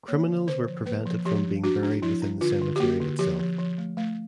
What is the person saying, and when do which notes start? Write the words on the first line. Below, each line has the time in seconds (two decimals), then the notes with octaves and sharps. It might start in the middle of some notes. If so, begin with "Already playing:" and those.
Criminals were prevented from being buried within the cemetery itself.
0.08 A#3 C#5
0.28 D3
0.48 D3 C5
0.67 F3
0.86 A#3 B4
1.05 F3
1.25 F3 G4
1.45 D4
1.64 D4 F#4
1.83 D4
2.02 F3 E4
2.22 D4
2.41 D3 F4
2.62 D3
2.76 G4
2.80 A#3 F#4
3.01 D3
3.19 F3 G4
3.39 F3
3.58 F3
3.78 A3
3.97 A3